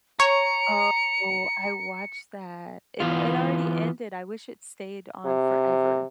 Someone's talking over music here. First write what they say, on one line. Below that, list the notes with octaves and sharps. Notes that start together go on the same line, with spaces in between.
Oh, I watched that. It it already ended, I wish it stayed on forever.
C#5 A#5 C#7
E3 B3 F4
C3